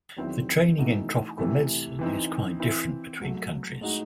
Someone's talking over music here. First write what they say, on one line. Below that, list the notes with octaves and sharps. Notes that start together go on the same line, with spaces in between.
The training in Tropical Medicine is quite different between countries.
E2 D#3 F#3 C4 E4
E3 A3 D#4 F#4
C3 E3 A3
E3 C4 D#4
E3 C4 E4
G#2 F#3 A3
A2 G#3 D#4 F#4